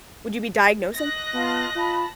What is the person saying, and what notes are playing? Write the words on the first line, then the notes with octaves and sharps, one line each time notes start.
Would you be diagnosing?
D#5 F#6 A#6
B3 F4 A5
F4 A5 B5